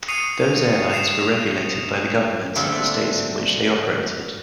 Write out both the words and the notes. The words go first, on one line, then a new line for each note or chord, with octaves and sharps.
Those airlines were regulated by the governments of the states in which they operated.
C#6 D#6 C7 C#7 D#7 F7
C7 E7 F7
A#2 D3 G3 A3 C4